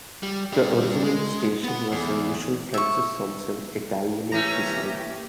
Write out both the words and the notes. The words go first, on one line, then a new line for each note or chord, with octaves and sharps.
The original station was the usual Francis Thompson Italianate design.
G3
G3 D4
G#3
B3 F#5
E2
E5 C#6
E3 A3 A#3 C#4 G4 A#5